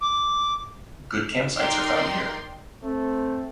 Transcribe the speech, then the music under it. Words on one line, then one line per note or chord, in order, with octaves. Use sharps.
Good campsites are found here.
D6
D#4 A#4 D5 G5 C6
A3 C4